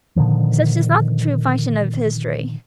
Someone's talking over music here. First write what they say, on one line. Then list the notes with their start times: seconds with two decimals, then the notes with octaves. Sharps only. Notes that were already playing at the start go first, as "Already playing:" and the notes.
Such is not the true function of history.
0.16 A#2 D3 D#3 F3